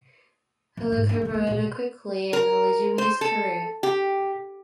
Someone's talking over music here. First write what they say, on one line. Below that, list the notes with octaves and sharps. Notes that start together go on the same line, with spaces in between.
He recovered quickly and resumed his career.
F#2
G#2
G3 D4
D3 B3
A#3
D2 A#2
A#4
C5
A4
G4